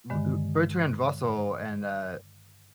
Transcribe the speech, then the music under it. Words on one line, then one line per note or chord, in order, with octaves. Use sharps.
u u Bertrand Russell and, uh
G2 D3 D#3 G#3